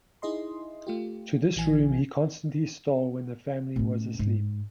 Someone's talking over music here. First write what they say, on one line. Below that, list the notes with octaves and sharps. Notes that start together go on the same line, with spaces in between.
To this room he constantly stole when the family was asleep.
D#4 E4 G#4 D#5 C6
A3 F4 G4
A#1 E3 G#5
A2 C#4
G#2